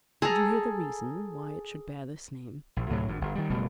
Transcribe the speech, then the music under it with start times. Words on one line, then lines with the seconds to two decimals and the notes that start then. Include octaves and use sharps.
Would you hear the reason why it should bear this name?
0.22 G#4 A4 A#5
2.76 A#1
2.90 D2 A2 C3 F#3
3.08 G#1 G2
3.21 G1
3.35 D#3 G3
3.50 F#1 B2 G3 A3